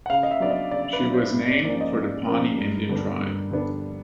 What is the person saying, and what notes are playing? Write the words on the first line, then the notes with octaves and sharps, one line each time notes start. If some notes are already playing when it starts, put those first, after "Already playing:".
She was named for the Pawnee Indian tribe.
F#5
C#3 F5
D#5
E5
F#3 B3 D4 D5
D#5
C#3 D5
B4
F#3 B3 D4
C5
G#2
D5
F3 A#3 C#4 D5
D#5
G#2
F3 A#3 C#4 A#4
G2
D3 G3 B3 D4
G2
D3 G3 B3 D4